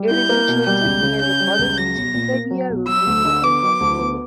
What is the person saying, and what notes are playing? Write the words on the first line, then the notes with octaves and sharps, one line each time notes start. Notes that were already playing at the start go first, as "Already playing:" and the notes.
It is situated near the borders between Serbia, Romania and Bulgaria.
Already playing: G3
E4 G6
A#3
B2
G3 G6
C#2
C#3
C#4 G6
G3
C#2
F#3 A#6
B1
A#2
A#3
F#3
B1
F#3 E6
D2
D3
B3 D6
F#3
D2
B3